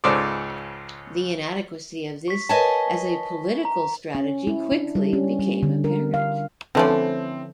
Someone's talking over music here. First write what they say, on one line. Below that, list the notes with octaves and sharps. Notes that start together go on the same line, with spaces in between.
The inadequacy of this as a political strategy quickly became apparent.
C#2 G#2 C#3 A4 C5 D5
C#6 B6
A#4 B4 C#5 D#5 G#5 A5
A#5
C#4
E4
D4
G3
C#4
G3
D3
A#4
F5
D3 E3 F3 A3 C4 C#4 D5